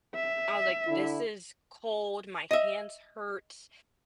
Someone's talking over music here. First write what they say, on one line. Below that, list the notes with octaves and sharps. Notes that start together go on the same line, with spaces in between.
I was like, "This is cold, my hands hurt."
E5
D3 E4
D#5 E5